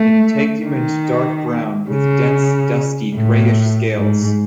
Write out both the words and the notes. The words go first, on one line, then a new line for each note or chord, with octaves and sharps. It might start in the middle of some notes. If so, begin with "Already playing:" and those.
Integument dark brown with dense dusty greyish scales.
Already playing: A3
D#3
C#3
A2
G#2